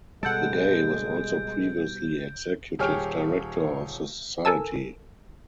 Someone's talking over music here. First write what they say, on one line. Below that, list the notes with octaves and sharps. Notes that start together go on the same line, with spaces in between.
Begay was also previously executive director of the society.
B2 G3 G#3 A4 F#5 G6 D7
D#1 G4 G#4 C#5 F6
A4 A#4 G#5 A5 E6